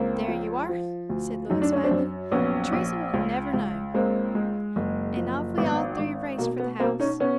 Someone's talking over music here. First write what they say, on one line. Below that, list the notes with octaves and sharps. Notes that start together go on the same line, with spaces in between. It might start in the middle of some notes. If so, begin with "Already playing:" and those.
"There you are," said Louis finally, "Teresa will never know." And off we all three raced for the house.
Already playing: C#2 A#3 C4
F3
F3
D2
F#2 D#4
D4
C#4
C4 D4
F#2
A#1 B3 C#4
A#1
C#2
C#2
G#3 A#3 C4
G#3
F#1
F3
G#1 B3
G#1
B2 A#3
B3
B2 A#3 C4
C#4 D#4
B3 C#4